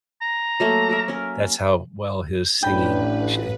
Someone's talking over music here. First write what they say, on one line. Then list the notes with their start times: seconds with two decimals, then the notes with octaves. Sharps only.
that's how well his singing, sh
0.22 A#5
0.60 F#3 A3 A#3
0.89 F#4 A#4 E5
1.08 C#4 A#4
2.63 A1 A2 D4 B4 G5 B5